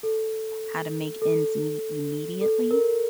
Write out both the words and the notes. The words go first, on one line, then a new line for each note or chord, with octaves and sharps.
how to make ends meet immediately,
A4
A4
A4
A#4